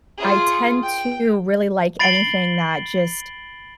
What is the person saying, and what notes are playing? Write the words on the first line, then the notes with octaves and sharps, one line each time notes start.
I tend to really like anything that just
F4 G#4
G5
B5 A6 C7 D7 F#7 G7